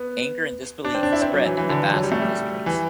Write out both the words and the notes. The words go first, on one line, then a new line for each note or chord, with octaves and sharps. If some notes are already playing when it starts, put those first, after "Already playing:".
Anger and disbelief spread in the Basque districts.
Already playing: B3
D4
C4
D4
E4
C4
F#3
E3
E3
D3
E3
F#3
G3
A3
G3
E3